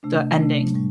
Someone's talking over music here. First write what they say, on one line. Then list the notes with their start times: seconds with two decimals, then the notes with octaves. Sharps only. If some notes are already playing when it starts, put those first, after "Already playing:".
the ending.
0.03 C3 A3 D4
0.39 C3 A3 D4
0.74 A2 G3